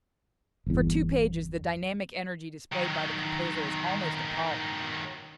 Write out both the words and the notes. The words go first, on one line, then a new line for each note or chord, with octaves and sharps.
For two pages the dynamic energy displayed by the composer is almost appalling.
G1 E2
D#3 F#3